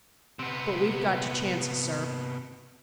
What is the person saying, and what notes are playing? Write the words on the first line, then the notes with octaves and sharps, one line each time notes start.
But we've got to chance it, sir.
C3 B3